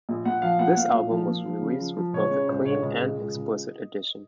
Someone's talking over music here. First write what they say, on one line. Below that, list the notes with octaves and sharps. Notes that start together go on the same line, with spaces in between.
This album was released with both a "clean" and "explicit" edition.
A#1
A#1 F#5
F3 F5
A#1 F#5
A#2 F5
A#1
F3
A#2
F3
C#3
F3
F3
C#2 C#5
C#3 C#5
C#2 C5
C#2 C#5
C#2 D#5
C#2
C#2
C#2